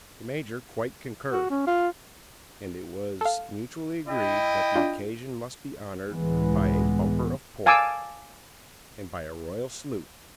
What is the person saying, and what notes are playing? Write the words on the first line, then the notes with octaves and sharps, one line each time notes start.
The major quite concurred; and it was mutually agreed that the occasion must be honored by a bumper of port, and by a royal salute.
F#4
C#4
F4
A4 F5
E4 D#5 G5
D4 F4 G6
C#2 A2 E3 G#3 B3
F5 G#5 A5 D6 E6